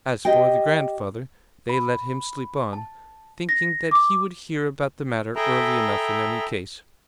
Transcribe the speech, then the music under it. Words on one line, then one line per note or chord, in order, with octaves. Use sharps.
As for the grandfather, they let him sleep on, thinking that he would hear about the matter early enough in any case.
G4 D#5 G5
B5
A5
A#6
D6
G#4 A4 E5 G5 A#5 B5